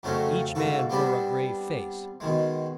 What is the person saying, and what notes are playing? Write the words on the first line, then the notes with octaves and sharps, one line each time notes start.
Each man wore a grave face.
F2 C#3 F#3 A3 C4 C#4
G#2 C#3 F#4 A4
G3 B3 C4 D4 B5
B2 D#3 G#3